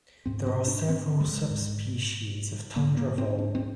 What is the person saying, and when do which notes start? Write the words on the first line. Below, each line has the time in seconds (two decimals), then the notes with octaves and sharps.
There are several subspecies of tundra vole.
0.26 G#2 C4
0.47 C4
0.68 D4
0.89 C4
1.21 G#3
1.51 G#2
2.76 G#2 A#3
2.97 A#3
3.18 C4
3.39 D4
3.55 C4